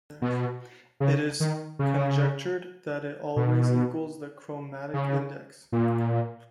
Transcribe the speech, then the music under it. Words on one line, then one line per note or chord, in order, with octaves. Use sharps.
It is conjectured that it always equals the chromatic index.
B2
C#3
D#3
C#3
B2
C#3
A#2